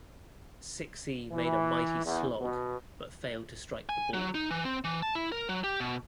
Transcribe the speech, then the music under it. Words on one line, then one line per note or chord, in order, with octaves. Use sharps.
Sixey made a mighty slog, but failed to strike the ball.
E3
E2
B2
G#5
F#3
D#4
E3
C4
E3
A5
E4
A#4
F#3
G4
B2